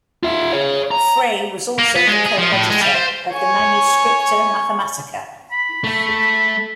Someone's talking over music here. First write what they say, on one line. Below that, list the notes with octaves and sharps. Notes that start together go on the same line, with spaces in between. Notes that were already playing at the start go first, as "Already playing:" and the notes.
Frey was also the co-editor of the "Manuscripta Mathematica".
F4 E5
G#4 C#5
A#5
A#3
B3
G#3
G#4
F3
A2
G#3
G3
C5
C#5 G#5 C#6
B5
A3